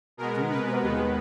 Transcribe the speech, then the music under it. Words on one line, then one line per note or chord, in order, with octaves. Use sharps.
"Do you know me?"
B2 G#3 B3 A#4
B4
D#2 D#3 G#3 B3